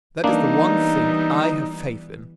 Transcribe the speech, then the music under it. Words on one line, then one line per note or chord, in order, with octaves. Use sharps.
That is the one thing I have faith in!
E3 G3 A#3 B3 D4 D#4